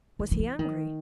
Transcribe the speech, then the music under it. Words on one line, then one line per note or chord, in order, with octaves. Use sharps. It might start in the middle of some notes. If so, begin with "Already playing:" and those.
Was he angry?
D#3
D#3
E3
D#3